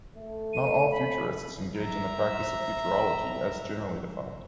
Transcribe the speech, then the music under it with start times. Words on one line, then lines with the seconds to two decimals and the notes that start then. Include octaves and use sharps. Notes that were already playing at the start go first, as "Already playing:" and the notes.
Not all futurists engage in the practice of futurology as generally defined.
0.16 A3
0.53 D#7
0.91 B5
1.78 E5 A#5